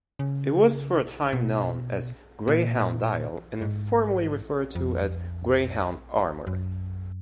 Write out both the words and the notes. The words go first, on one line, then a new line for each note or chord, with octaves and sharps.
It was for a time known as Greyhound-Dial, and informally referred to as Greyhound-Armour.
C#3
B2
A#2
G#2
F2
F#2